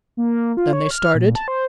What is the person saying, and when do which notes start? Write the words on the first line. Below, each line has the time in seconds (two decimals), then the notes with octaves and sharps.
"Then they started?"
0.17 A#3
0.57 F4
0.73 C#5
0.91 F6
1.15 A#2
1.35 A5
1.48 C5